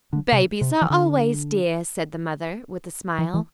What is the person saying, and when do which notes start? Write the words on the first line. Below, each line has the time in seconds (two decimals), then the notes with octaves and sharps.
"Babies are always dear," said the mother, with a smile.
0.13 D3
0.32 C3
0.61 C3
0.81 E3
0.90 D3
3.18 E3
3.34 E3